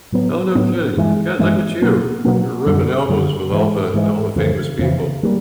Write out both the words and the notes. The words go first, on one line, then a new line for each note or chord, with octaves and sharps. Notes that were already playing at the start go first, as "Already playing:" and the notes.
Oh, no, kidding good, look at you. You're rubbing elbows with all the all the famous people.
A2 F#3 B3
A2 F#3 B3
G2 E3 G#3
G2 E3 G#3
B2 F#3 A#3
B2 F#3 A#3
F#2 D3 G3
F#2 D3 G3
G#2 E3 G#3
G#2 E3 G#3
F2 C#3 E3
F2 C#3 E3
D3 G3 A#3